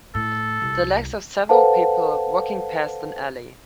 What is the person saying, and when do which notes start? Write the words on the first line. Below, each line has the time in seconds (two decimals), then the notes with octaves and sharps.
The legs of several people walking past an alley.
0.15 A2 A4
0.62 C2
1.49 A4 B4 C5 F5 F#5 A5